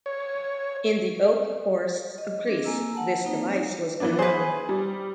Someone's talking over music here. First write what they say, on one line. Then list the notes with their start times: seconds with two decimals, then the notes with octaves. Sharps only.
In the oak forests of Greece this device was unknown.
0.06 C#5
2.18 D#5
2.47 C4 D4 G#4 A#4
2.64 A#3 G#5 A#5 E6
2.95 F#5 A5
3.25 A#3 C4 D#4
4.00 E3 B3 D4
4.19 G#4 B4 C5
4.69 G3